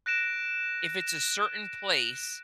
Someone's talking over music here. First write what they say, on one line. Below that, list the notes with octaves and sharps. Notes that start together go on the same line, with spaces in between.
if it's a certain place
F#6 A#6 D7 E7